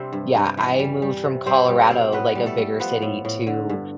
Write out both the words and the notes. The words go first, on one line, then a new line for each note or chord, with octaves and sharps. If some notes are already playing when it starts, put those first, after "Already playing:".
Yeah, I moved from Colorado, like, a bigger city to,
Already playing: C3 G3 C4 D4 C5
G2
G2
E3
G3
G3
C3
G3 C4 C5
G3
B2 C4 C5
A2 B3 B4
G3
A3 A4
G3
F3 B3 B4
A2
A2
D3
G2